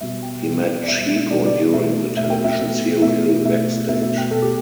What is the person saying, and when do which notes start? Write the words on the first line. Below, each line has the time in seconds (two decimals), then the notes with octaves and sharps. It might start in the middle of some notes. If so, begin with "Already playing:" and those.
He met Tshepo during the television serial "Backstage".
0.01 B2 G3 E5
0.23 G5
0.44 B2 G3
0.83 D5
0.87 B2 G3 E5
1.01 E5
1.16 E5
1.30 G3 D5
1.34 B2 B4
1.46 D5
1.73 B2 A3 E5
2.16 B2 A3 E5
2.30 G5
2.44 E5
2.59 B2 A3 E5
3.02 B2 A3 E5
3.45 B2 A3 E5
3.88 B2 A3 E5
4.02 E5
4.18 G5
4.31 B2 A3 A4
4.42 G4